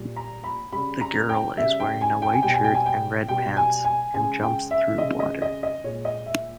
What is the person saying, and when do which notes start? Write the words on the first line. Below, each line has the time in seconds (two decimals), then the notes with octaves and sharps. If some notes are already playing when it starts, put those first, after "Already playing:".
The girl is wearing a white shirt and red pants, and jumps through water.
Already playing: A#2 G3
0.16 A#5
0.44 B5
0.73 C#3 G3 B5
1.01 A#5
1.29 G5
1.57 C#3 G3 E5
1.80 G5
2.01 G#5
2.22 G5
2.33 G#5
2.42 B2 G3 G5
2.54 G#5
2.64 G5
2.74 G#5
2.86 G5
3.28 B2 G3 G5
3.57 G#5
3.85 G#5
4.14 C#3 G#3 G#5
4.43 G5
4.71 E5
4.98 C#3 G#3 D#5
5.20 D#5
5.42 D#5
5.63 D#5
5.84 A#2 G#3 C#5
6.05 D#5
6.26 E5